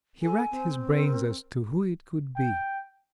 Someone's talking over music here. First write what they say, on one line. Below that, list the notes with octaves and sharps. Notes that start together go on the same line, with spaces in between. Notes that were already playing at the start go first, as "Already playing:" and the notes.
He racked his brains as to who it could be.
A4 G#5
C4
A#4
G5